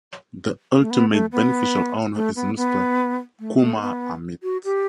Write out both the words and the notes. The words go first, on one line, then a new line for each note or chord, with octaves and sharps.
The ultimate beneficial owner is Mr Kumar Amit.
A3
B3
A3
B3
A3
B3
B3
A3
A3
A3
B3
F#4
G4